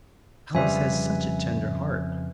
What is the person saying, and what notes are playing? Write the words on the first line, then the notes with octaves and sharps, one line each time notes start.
"Alice has such a tender heart."
F2 C#3 G3 B4 E5 G#5